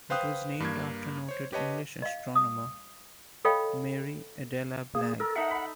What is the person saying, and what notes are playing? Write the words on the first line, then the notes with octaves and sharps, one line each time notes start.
It was named after noted English astronomer Mary Adela Blagg.
B4 C5 F5 G5 D#6 F#6
G2 A#3 G#6
C5 C#5
G4 B4 C#5 D#5 A5
D#5 F5
D#6
A4 C#5 D#5 F5 G5 B5
A#3 G#4
A4 A#4
D#4 A4 E5 F#5
B5